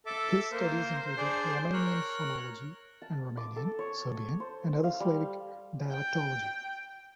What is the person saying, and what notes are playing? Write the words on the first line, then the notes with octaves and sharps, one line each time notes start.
His studies included Romanian phonology, and Romanian, Serbian, and other Slavic dialectology.
A4 E5 D6
A#3 A#4 C5
D4 G#4 D5
A#4 C#5 F#6
A5
D6
A4
C#5
C5
F5
G3
G5